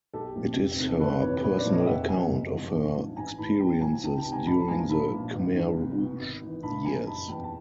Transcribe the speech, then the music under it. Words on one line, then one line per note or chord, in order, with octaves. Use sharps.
It is her personal account of her experiences during the Khmer Rouge years.
B1 G4 A4
A#2 F3
F1
F2 C3 D#3
G1 A4 B4
F2 C3 E3 B4 C#5
A#1 B4 C#5
C5 D5
A#2 F3
C#5 D#5
G5
F1 E5 F#5
E2 C3 F#5 G#5
F#1
E2 C3 F3
A#1
G#2 F3
A1 G#5 A#5
A2 E3 A5 B5
B1 G5 A5
A2 F3 G#5 A#5
C#2 G5 A5
G5 A5
C3 D#3
G#5 A#5
A1 A5 B5
A5
G#2 F3 G#5 A#5
A#1 A5 B5
A#2 F3
G1
G2 E3
C2
B2
G#1
G#2 E3
A#1 A5 B5
A#2 F3 G#5 A#5
F#1 A5 B5
E2 B2 G5 A5
A5